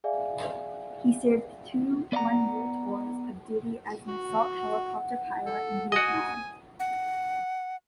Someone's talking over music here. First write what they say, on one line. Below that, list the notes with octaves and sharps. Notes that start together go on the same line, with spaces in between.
He served two one-year tours of duty as an assault helicopter pilot in Vietnam.
G#4 D5 E5 F5 G#5
B3 D5 E5 F#5 A#5
F#4
F#5
A4
F#4 D#5 G#5 D#6 D#7
F#5